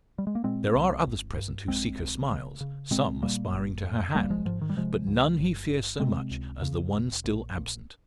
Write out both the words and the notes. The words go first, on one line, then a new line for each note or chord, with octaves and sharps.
There are others present who seek her smiles--some aspiring to her hand--but none he fears so much as the one still absent.
G3
G#3
A#3
A#2 G#3 C4
C2
G1
G2
A#1 G#3 C4
A#1
C#3
C#3
A#2 G#3 C4
A#2 G3 A#3
G1
F2
G#1 G3 A#3
F3 G#3
G#2 F3
D#3
G3
C3 F3 G#3
C#2
G1
G1
C3 G#3 C4
C#2
C#3
F1
A#1
A#1